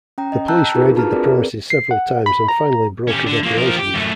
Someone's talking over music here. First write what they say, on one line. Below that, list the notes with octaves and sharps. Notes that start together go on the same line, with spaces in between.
The police raided the premises several times and finally broke his operations.
C#4 G5 A#5
D#5
G5 A5 A#5 E6 F#6 G6
D#4 F4 G4 G#4 A#4 B4
D4 F4 F#4 A5 A#5 F6
C4 G#4 A#4 B4 D5
C7
F#5
B5
A#5
C#4 G4
D3
F3 A#3
F3 A#4
G4
F#2 A3